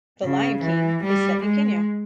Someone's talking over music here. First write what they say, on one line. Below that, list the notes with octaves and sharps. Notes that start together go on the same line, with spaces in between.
The lion king is set in Kenya.
C#3
E3
G3
G#3